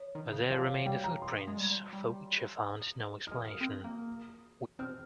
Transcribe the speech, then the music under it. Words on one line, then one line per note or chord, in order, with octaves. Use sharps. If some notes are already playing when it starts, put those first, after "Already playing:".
But there remain the footprints, for which I found no explanation.
Already playing: C#5
D#3
C#3
F3 F5
G3 G5
A#5
C6
G#3
G3
G3
G#3 F6
A#3 D#6
C4
A#3
C4 F6